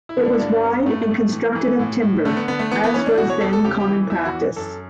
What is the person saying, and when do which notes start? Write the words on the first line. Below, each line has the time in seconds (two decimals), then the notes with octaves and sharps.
It was wide and constructed of timber, as was then common practice.
0.09 E4
0.17 D3
0.25 D4
0.33 E4
0.39 G2 D4
0.63 G2 B3
0.86 A2 A3
1.09 A2
1.32 E3
1.55 E3
1.79 A2
2.02 A2
2.25 D3 A3
2.37 B3
2.48 D3 B3
2.59 A3
2.71 E3 B3
2.83 B3
2.94 E3 C#4
3.06 D4
3.18 B2 F#4
3.29 C#5
3.41 E2 A4
3.53 A4
3.64 C#3 G4
3.80 G4
3.88 E3
4.10 E2 E4
4.25 F#4
4.33 E3
4.56 F#2 A4